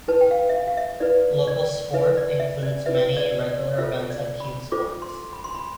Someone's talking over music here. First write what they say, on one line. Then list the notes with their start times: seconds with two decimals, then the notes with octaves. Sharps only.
Local sport includes many regular events and team sports.
0.08 E4 B4 A5
0.21 G5
0.31 F5
0.49 E5
0.55 F5
0.68 F5
0.77 E5
1.00 E4 B4 D5
1.48 D5
1.94 E4 B4 E5
2.17 D5
2.40 E5
2.63 D5
2.86 E4 B4 E5
3.17 D5
3.49 D5
3.78 F4 A4 C5 E5
4.10 D5
4.40 B5
4.72 F4 A4 C5 D6
5.02 C6
5.33 B5
5.44 C6
5.55 B5